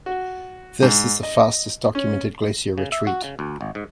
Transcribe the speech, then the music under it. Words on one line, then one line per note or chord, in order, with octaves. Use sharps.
This is the fastest documented glacier retreat.
F#4
G#2
D#5
C#4
C#3
E5
F#4
C#3
D2
G#1
G#2